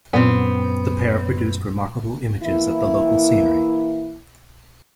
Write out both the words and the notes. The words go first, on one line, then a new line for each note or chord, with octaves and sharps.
The pair produced remarkable images of the local scenery.
F#2 A#2 B3 C4
E3 A#3 E4